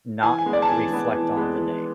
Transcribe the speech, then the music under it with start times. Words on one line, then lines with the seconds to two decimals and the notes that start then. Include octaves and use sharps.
not reflect on the day,
0.23 E3 G#5
0.39 G#5
0.46 G#3 B3
0.53 D5
0.62 A5
0.69 E3 G#5
0.92 G#3 B3
1.14 E3
1.36 G#3 B3
1.59 E3